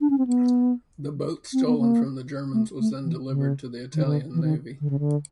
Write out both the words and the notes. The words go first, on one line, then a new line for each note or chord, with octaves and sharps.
The boat stolen from the Germans was then delivered to the Italian navy.
D4
C#4
C4
B3
C4
B3
A#3
A3
A3
E3
C#3
D#3
D3
E3
D#3
D3
C#3
D3